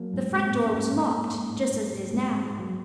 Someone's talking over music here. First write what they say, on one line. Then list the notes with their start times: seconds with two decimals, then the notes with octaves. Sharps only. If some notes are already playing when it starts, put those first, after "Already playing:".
The front door was locked, just as it is now.
Already playing: F#3 A#3
0.14 G#2
0.33 G#2 G#3 C4
0.54 G#2
0.64 A#3 C#4
0.74 G#2
0.94 G#2 A#3 C#4
1.13 G#2
1.33 G#2
1.54 G#2
1.73 G#2
1.94 G#2
2.13 G#2 G#3 C4
2.28 G#2 G#3 C4
2.43 G#3 C4
2.54 G#2
2.59 F#3 A#3